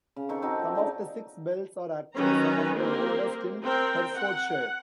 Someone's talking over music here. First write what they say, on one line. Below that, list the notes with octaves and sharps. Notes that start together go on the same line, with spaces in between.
Some of the six bells are actually some of the oldest in Herefordshire.
C#3
D#3 C4 A4 C#6
C4 D#4 F#4
F4
C#3 D4 D#4 D5
D#3 F#3 C#4 B4 A#5
A#3 C4 G4 A#4
C4 A#4 G5
F#5